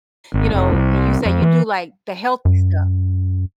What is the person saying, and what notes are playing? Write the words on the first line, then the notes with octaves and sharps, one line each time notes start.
you know, and you say you do, like, the healthy stuff.
G#1
F1
C2
F2
E3
F#2